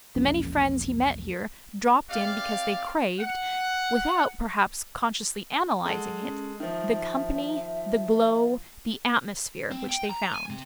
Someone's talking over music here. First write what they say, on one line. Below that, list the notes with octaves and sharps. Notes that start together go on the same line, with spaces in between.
The many friends he met here dropped in because they craved, without, perhaps, consciously analysing it, the company, the glow, the atmosphere which they found.
E1 A#1 C#4
C3 G4 D5 F5
F#5
G#3 A4 F#5
C#4
D#3 F3 E5
C4
G5
A#5
G#5
C3